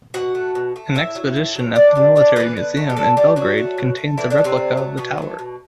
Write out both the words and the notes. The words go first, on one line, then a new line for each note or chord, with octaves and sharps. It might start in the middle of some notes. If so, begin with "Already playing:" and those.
An exhibition at the Military Museum in Belgrade contains a replica of the tower.
B2 F#4 F#5
A3
B2
A3
A2 E4 E5
F#3 A3
A2
F#3 A3
A2 D4 D5
E3 G3
A2 D4 D5
E3 G3 B3 B4
D3
A3
G4
D3 A3 A4
G3 A3 G4
B2 F#3 F#4
A3
B2
A3
D3 E3 E4
D3 D4
F#3 A3
C3 C4
D3
F#3 A3
B2 B3
F#3 A3
B2